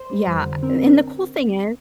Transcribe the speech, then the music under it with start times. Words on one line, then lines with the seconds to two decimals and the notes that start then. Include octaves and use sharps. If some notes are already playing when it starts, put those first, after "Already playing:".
Yeah, uh a and the cool thing is
Already playing: C5
0.10 G3
0.27 F2
0.45 D3
0.63 C4 A#4